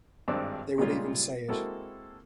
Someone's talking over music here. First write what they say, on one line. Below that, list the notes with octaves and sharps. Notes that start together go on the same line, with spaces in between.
They would even say it.
G#1 G2 D4 C5 D6 E6
A#2 C#3 G3 G#3 F4
G#3 A#3 C4 E4 F#4 A4